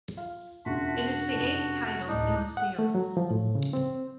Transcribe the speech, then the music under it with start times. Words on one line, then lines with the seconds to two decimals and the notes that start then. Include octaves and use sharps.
It is the eighth title in the series.
0.17 F4 F5
0.66 E1 C#3 D4 F4 F#4 E5 A5
1.06 D4
1.35 F1 F#2
2.08 D2 A2 D4 D#4
2.57 F#5
2.79 A3
2.95 F#3
3.17 F3
3.30 A2
3.55 C#3
3.73 C4